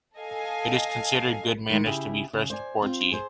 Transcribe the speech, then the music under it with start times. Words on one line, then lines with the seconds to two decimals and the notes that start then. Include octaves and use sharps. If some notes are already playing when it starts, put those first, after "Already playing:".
It is considered good manners to be the first to pour tea.
0.18 A4 D#5 F5 G#5
1.70 D#3 G#3
1.86 C#3 E4 G4 G#4
2.33 C#3
2.50 C5 D5 G#5
2.82 C4 F4
3.12 G#4 C5